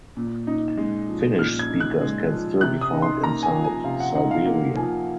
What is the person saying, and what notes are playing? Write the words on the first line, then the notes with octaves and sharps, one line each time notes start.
Finnish speakers can still be found inside Siberia.
A#2
D#4
G#3
F3
A#2 F6
G#6
D#4
F#6
G#3
F3
C3 F#6
D#6
D#4
C6
A#3 A#5
G#5
F3
G#5
C3 F5
F#5
D#4 F#5
F5
A#3
F3 G#5